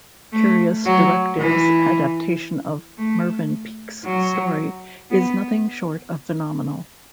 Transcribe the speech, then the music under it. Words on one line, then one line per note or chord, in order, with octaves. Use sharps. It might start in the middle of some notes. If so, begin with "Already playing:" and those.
Curious Directive's adaptation of Mervyn Peake's story is nothing short of phenomenal.
A3
F#3
E3
A3
F#3
B3